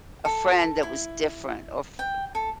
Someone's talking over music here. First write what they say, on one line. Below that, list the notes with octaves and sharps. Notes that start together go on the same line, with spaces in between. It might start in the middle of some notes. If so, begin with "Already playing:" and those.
a friend that was different or f
A4
E4
G5
A4